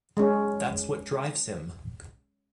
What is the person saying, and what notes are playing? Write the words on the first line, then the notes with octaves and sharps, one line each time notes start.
That's what drives him.
G#3 C#4